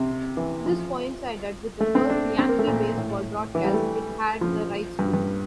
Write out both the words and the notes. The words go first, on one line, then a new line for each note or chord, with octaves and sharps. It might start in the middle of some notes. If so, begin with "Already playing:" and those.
This coincided with the first Yankee baseball broadcast it had the rights to.
Already playing: C3
E3
F3
A3
C4
D4
C4
A#3
A3
A#2
A2
E3
G3
A3
F3
G2
G2